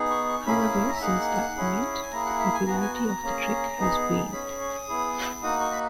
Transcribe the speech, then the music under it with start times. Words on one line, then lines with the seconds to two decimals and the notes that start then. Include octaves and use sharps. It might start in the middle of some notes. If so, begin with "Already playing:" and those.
However, since that point, the popularity of the trick has waned.
Already playing: B3 D#4 G#4
0.10 C#6
0.29 C#6
0.46 A#3 C#4 E4 G#4 B5
0.60 B5
0.88 A#5
0.96 E5
1.01 A#3 D#4 G#4 F#5
1.57 C#4 E4 G#4
2.02 G#5
2.12 A#3 E4 G#4 A#5
2.26 F#5
2.39 E5
2.54 G#5
2.67 B3 F#4 A#5
2.81 G#5
2.95 A#5
3.08 A#5
3.23 A#3 C#4 G#4
3.78 B3 D#4 G#4
4.32 C#4 G#4 B5
4.46 C#6
4.60 C#6
4.74 D#6
4.88 B3 E4 G#4
5.43 A#3 D#4 F#4 D#6
5.60 C#6
5.72 B5